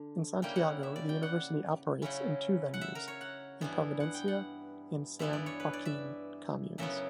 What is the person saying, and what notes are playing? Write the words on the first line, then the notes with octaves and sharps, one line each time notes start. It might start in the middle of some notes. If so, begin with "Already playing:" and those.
In Santiago, the university operates in two venues: in Providencia and San Joaquin communes.
Already playing: D3
C#3 G3 A#3 E4 G5
F#5
E5
D5
G5
F#5
C#3 F#3 C#4 E4
F#5
E5
A#4
C#5
F#5
G2 E3 B3 E4
F#5
G5
F#5
G2 E3 B3 E4 E5
D5
C#5
B4
D5
E5
F#2 C#3 F#3 B3 E4 E5